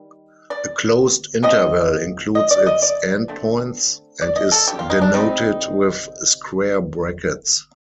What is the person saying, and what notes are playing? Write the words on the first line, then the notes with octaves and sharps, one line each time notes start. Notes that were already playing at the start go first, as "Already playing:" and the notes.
A closed interval includes its endpoints, and is denoted with square brackets.
Already playing: D#3 G3
D5
F3 C4 D#5
D#5
D5
D#5
D5
D3 A3 C4
D5
D#5
A4
G4
F4
D#4
D4
C3 G3 C4 D#4